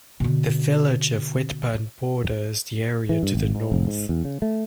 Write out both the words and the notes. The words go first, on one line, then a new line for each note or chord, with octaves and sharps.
The village of Whitburn borders the area to the north.
B2 D3
E3
G2
G#1
G#2
F1
G#2
E2
C#3
A3